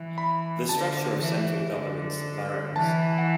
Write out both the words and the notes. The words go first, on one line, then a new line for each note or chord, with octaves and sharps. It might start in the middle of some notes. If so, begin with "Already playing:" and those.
The structure of central governments varies.
Already playing: E3
B5
D3 A5
E3
D3
E3 A5
F#5